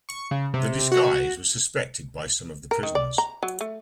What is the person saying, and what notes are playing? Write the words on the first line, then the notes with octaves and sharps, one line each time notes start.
The disguise was suspected by some of the prisoners.
C#6
C#3
C3
F#4
A#4
D#3
D5
A#5
F#3
A3